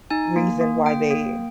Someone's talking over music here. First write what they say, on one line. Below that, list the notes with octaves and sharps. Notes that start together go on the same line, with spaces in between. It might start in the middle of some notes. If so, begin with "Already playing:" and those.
reason why they
D#4 G#5
A#3
A#3
A#3 G5
A#3